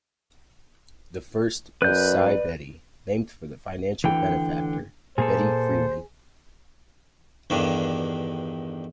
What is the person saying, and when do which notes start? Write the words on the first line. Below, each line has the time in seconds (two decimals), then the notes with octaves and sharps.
The first was Si Betty, named for the financial benefactor Betty Freeman.
1.82 F#2 B4 D5 G6
4.04 D2 G#2 D3 E3 G5
5.18 A#2 A#3 G#4 A4 C5
7.50 E2 G2 D3 D#3